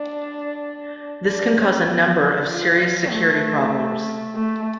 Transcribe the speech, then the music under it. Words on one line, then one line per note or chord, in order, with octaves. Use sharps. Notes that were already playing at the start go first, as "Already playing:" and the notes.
This can cause a number of serious security problems.
Already playing: D4
D4
C#4
B3
D4
F4
F4
A3
A3